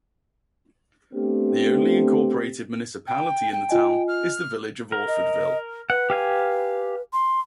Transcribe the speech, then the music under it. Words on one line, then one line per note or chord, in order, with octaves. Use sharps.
The only incorporated municipality in the town is the Village of Orfordville.
A3 B3 C4 D4 G4
G5
G5
F4 D#5 G#5
F6
A#4
D#5
B4 F#5
G4 F5 G#5
C6